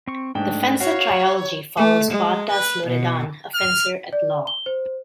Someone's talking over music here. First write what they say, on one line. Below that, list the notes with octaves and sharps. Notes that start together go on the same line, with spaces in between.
The Fencer trilogy follows Bardas Loredan, a fencer-at-law.
C4 C#6
G#2 A3 D4 G5
F#4 C#5 F5
A3
G#3
B4
B2
F6
D5
G7
C5